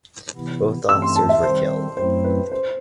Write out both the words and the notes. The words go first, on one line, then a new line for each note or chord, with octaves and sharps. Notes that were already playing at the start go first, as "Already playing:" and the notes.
Both officers were killed.
C3 E3 B3 E4
G2 E3 A3 C4 E6
C6
A5
E5
D#3 G3 C4 C5
F#2 F#3 A3 C4 E4 C5
B4
C5